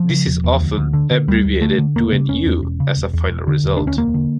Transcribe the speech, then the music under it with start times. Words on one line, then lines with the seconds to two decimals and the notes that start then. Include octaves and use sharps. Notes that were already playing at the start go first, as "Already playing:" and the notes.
This is often abbreviated to a 'U' as a final result.
Already playing: F3
0.10 C#3
0.27 E1
0.44 E2
0.61 D2
0.78 D2
0.93 D3
1.11 D3
1.28 D2 G3
1.45 D2
1.61 D3 A3
1.78 D3
1.96 E1 A#3
2.12 C#3
2.28 E1 C#4
2.46 E2
2.63 E1
2.80 C#3
2.97 E1
3.13 E2
3.30 E1
3.47 D3
3.64 E1
3.77 D2 D4
3.87 C#4
3.98 E1 A#3
4.14 D3